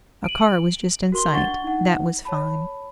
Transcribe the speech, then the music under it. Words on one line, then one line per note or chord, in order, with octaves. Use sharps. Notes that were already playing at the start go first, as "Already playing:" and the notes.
A car was just in sight--that was fine!
D7 D#7 F#7
F#4 A#4 C6 G7
D4 F#5 C#6 A6 G7
D#4 F#5
C#5 A5 B5